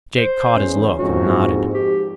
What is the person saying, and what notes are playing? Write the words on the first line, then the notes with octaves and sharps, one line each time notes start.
Jake caught his look and nodded.
C5
E2 C#4
A#1 F2 G#2 F#4
G4